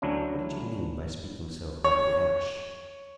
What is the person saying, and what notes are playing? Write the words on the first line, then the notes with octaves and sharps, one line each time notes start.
"What did you mean by speaking so about the Ash?"
D2 F#3 C#4 D4 E4
C#5